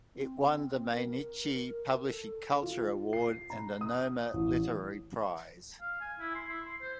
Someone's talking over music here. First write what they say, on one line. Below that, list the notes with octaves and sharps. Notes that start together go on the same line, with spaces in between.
It won the Mainichi Publishing Culture Award and the Noma Literary Prize.
C4
A#4
A4
F4
C7
A#5
D#6
A1
F5
G#5
E4
C6
E4
C6
C5